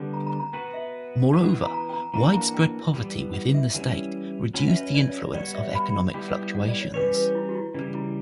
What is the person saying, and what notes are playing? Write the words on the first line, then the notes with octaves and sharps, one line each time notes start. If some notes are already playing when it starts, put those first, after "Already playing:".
Moreover, widespread poverty within the state reduced the influence of economic fluctuations.
Already playing: D3 G3 B3
A#5
A#5
A#5
B3 F#4 B4 G5
E5
E3 B3 E4 F#5
F#5
F#5
A#5
A#5
G5
A#5
E3 A#3 D4 F#4 A#5
A#5
G5
E3 G3 B3
F#5
E5
E3 G3 C#4 E4 F#5
F#3 C#4 F#4 B4 F#5
E5
C#5
D5
C#5
C#5
G3 B3 F#4 C#5 D5
E5
B5
G3 B3 E4 G4 G5
F#5
G5
F#5
D5
C#5
E3 G3 C#4 G4 B4 C#5
B4
E4
F#4
E4
C#3 E3 G3 D4
E4